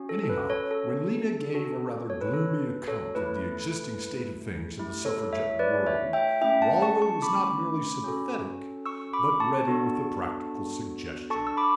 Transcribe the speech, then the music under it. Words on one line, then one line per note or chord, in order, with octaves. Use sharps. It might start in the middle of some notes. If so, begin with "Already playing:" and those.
Anyhow, when Lena gave a rather gloomy account of the existing state of things in the Suffragette World, Waldo was not merely sympathetic but ready with a practical suggestion.
Already playing: C#4 F#4
A4
A4
B4
A4 C#5
A4
C#4 F#4 A4
C#5
B4
A4
B4
A4 C#5
A3 E4 A4 B4
A3 E4 G4
A4 C#5
C#5 E5
B4 D5
C#5 E5
E5 G5
A3 C#4 E4 E5 G5
F#5 A5
A5 C#6
A5 C#6
B5 D6
C#4 F#4 A4
C#6 E6
B5 D6
A5 C#6
B3 D4 F#4 A4
D4 A4 A5 C#6
E6
B5 D6